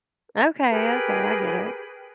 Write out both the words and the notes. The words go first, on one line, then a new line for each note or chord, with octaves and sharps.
Okay, okay, I get it.
G4 G#4 A#4 B4